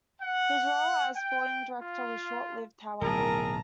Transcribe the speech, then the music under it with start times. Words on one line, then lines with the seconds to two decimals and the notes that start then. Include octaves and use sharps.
His role as sporting director was short-lived, however.
0.20 F#5
1.15 G5
1.81 F4
3.01 D1 B1 E4 G#4 A#4 A5 A#5